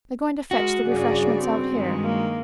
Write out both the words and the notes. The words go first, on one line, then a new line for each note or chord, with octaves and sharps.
"They're going to fetch the refreshments out here."
G#3 F#4 A#4
G2 C#3 G#4 D5
C4
G2 D#3 G#3
A#3